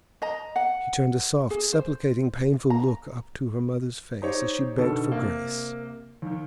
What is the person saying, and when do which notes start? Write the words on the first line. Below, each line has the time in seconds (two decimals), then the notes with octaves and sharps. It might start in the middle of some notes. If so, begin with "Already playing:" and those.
She turned a soft supplicating painful look up to her mother's face as she begged for grace.
0.22 D#5 A#5
0.56 F#5
1.50 G#4
1.73 C5
2.70 A#5
4.22 D#4 G4 C5 C#5
4.78 B2 D3 D#3 A4
5.12 C3 A#3
6.22 D#2 D#3